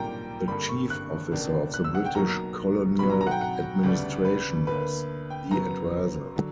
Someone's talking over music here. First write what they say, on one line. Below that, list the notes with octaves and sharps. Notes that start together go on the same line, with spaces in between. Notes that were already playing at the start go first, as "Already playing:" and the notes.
The chief officer of the British colonial administration was the "Advisor".
Already playing: B1 A#2 G3 A#3 D4 G5 A#5
G2 D3 G3 A#3 B5
C#6
F#6
C#2 B2 A#3 D4
F#6
E6
F#5
G5
B1 B2 F#3 A#3 A#5
B1 B2 F#3 B5
A#5
A#5
F#5
G5
F#5
D2 C#3 G3 B3 D4
B4
D2 D3 A#3 B4
G5
F#2 C#3 F#3 B3 A#5
D3 F#3